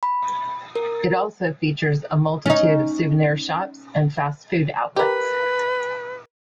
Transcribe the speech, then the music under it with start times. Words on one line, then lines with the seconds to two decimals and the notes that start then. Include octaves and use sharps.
It also features a multitude of souvenir shops and fast food outlets.
0.03 B5
0.76 A#4
2.46 C#4 D#4
4.96 G4 A#4 B4